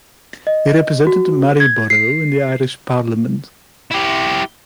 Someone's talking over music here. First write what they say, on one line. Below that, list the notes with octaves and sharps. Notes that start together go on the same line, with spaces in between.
He represented Maryborough in the Irish Parliament.
D#5
F#4
G#6
C7
E4 G4